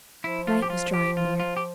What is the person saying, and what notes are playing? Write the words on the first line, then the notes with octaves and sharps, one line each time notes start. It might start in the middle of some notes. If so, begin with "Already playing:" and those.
Night was drawing near.
F3 E4
F4
G4
F4
G4
F4
F4
G4